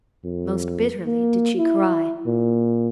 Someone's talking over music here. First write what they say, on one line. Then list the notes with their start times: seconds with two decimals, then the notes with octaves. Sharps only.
Most bitterly did she cry.
0.25 F2
1.06 A#3
1.58 E4
2.27 A#2